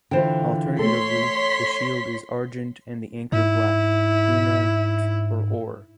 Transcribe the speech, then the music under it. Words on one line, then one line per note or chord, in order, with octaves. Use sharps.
Alternatively the shield is Argent and the anchor Black, Brunatre or Or.
D3 E3 F4 C5 G5
A3 A4 C#5 C6 B6
G#2 E4